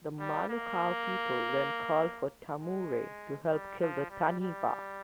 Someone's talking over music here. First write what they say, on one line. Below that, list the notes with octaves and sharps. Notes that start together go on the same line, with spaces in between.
The Manukau people then called for Tamure to help kill the taniwha.
G3
A#3
G#3
G3
F3
G3
G3